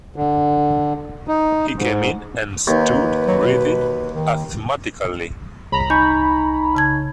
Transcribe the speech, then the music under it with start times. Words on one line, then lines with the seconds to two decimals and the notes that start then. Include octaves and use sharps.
He came in and stood breathing asthmatically.
0.16 D3
1.28 D#4
1.76 G#2
2.68 D#2 D#4 B4
3.27 F#3
3.44 B2
4.12 D#3
5.72 C2 A#5 B5
5.90 D#4 G#5 C#6 G6
6.75 C#3 A5 G#6